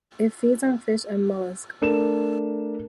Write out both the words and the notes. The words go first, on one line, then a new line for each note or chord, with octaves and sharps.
It feeds on fish and molluscs.
A3 D4 A4 A#4 E7